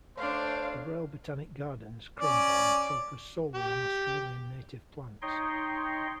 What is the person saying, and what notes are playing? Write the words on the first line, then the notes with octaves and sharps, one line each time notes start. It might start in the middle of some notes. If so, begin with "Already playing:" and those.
The Royal Botanic Gardens, Cranbourne focus solely on Australian native plants.
A3 D4 C5 C#5 F5
C#4 D5
G4
D#4 C#5 D#5 G5 C6